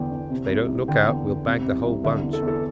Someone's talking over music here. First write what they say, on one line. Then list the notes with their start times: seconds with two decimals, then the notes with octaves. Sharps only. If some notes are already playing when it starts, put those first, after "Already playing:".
If they don't look out we'll bag the whole bunch.
Already playing: E2 D3 G5
0.12 E2
0.30 C3
0.49 C2
0.69 C2
0.88 D3 G5
1.08 E2
1.27 E2
1.47 C3
1.66 C2
1.84 C2
2.04 D3 E5
2.23 E2
2.33 A4
2.42 E2
2.48 A4